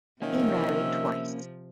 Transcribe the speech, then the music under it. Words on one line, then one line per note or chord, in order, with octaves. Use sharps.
He married twice.
C3 D#3 F3 A#3 C#4 E5